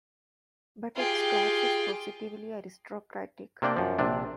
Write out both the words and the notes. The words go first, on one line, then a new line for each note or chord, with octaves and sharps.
But its class is positively aristocratic.
F4 G4 G#4 G5
C3 A#3 D4 D5 G5
F#2 F3
A#1 C3 D4